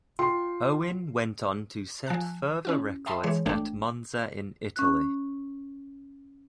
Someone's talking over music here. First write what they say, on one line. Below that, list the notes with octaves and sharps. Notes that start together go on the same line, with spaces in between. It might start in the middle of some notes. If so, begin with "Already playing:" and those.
Owen went on to set further records at Monza in Italy.
F4 G5 C6
F3 G#5 A5 F#6
C#4 E4 F#4
E5 G5 A5 B5 C6 D#6
E3 G#3 G#4 C#5
G#1 A3 D4 G5
C#4 F#6